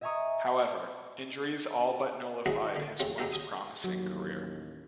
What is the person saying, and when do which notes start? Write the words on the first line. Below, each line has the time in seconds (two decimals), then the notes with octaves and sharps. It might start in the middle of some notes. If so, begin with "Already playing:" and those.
However, injuries all but nullified his once promising career.
0.01 D#5 E5 G#5 A#5 C#6 D#6
2.46 F#3 G#3 E4 F#4 G#4
2.76 D3
3.00 F2 G#2 C3 C4 C#4
3.18 F#2 C3 G#3 G4 A4 A#4
3.32 G#5 D#6
3.84 A1 D#2 F#3